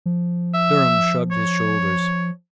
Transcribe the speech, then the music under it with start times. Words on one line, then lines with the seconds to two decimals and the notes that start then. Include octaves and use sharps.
Durham shrugged his shoulders.
0.06 F3
0.54 E5
1.31 C#5